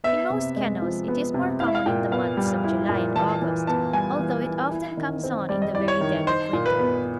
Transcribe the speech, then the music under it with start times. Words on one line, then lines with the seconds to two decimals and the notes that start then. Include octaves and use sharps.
In most kennels it is more common in the months of July and August, although it often comes on in the very dead of winter.
0.04 B3 E5
0.30 C3
0.56 G#3
0.82 F3
1.08 B3
1.34 C3
1.60 E4 F5
1.67 E5
1.75 F5
1.86 A#2 G5
2.11 B3 F5
2.37 G3
2.64 E4
2.89 A#2
3.16 E3 A5
3.42 E3
3.67 B3 A5
3.93 G3 G#5
4.19 E3
4.45 E3
4.71 E4
4.97 D#3
5.23 C4
5.49 G3 D5
5.62 D#5
5.75 E4 D5
5.88 C#5
6.01 D#3
6.27 D#4 C5
6.53 A#2
6.66 B4
6.79 B3